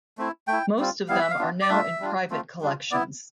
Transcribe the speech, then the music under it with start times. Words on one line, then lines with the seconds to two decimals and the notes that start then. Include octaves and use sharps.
Most of them are now in private collections.
0.18 A3 C4 E4
0.48 A3 E4 G5
0.79 G3 C4 F4
1.08 G3 B3 E4 F5
1.21 E5
1.30 F5
1.39 B3 D4 F4
1.61 D5
1.69 A3 D4 F4 E5
2.00 G3 D4 F4
2.30 A3 C4 F4
2.61 G3 D4 F4
2.91 B3 E4 D5